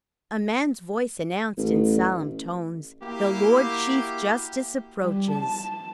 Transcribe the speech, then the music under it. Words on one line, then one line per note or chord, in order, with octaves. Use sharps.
A man's voice announced in solemn tones, "The Lord Chief Justice approaches."
A1
A#3 E4 F#4 G4
G3
A5